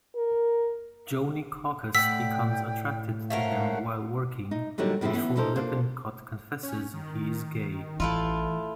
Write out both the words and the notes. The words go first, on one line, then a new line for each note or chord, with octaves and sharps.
Joanie Caucus becomes attracted to him while working before Lippincott confesses he is gay.
A#4
A2 D5 F#5 G5 E6 B6
A3 C#4 A#4 C5 F5 F#5
D#4
A#2 D3 F#3 G3 D#4 C#5
A2 C#3 F3 G3 C4 E4
E3 B3 C#4
C#4 D#4 A4 A#4 C5
A#3 D4 F4 C5
C#4
D#3
A1 E3 A3 E4 F4